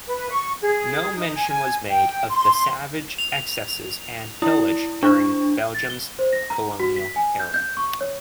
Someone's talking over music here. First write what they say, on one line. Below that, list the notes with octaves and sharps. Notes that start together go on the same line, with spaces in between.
No mention was made of the savage excesses and pillage during Belgium's colonial era.
B4
C#6
G#4
D#4
G#5
G5
C6
F7
E4
D4
A6
G7
C5
A#6
A#5
F#4
B6
G#5
G6
G6
C#6
C#5